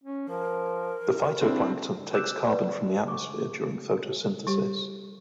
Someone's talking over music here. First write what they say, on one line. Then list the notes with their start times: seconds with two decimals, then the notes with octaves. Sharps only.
The phytoplankton takes carbon from the atmosphere during photosynthesis.
0.04 C#4
0.28 F3 A#4
1.41 C4 D4 E4
2.14 D6 E6 F#6 G6 E7
2.46 B4 D5
3.08 C#6 D6
4.47 G3 G4